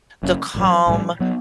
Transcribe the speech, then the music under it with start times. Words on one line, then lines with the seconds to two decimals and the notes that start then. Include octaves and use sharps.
the calm,
0.23 F#1 F#2 C#3
0.55 A1 G2 F#3
0.87 B1 A2 G3
1.20 F#3 B3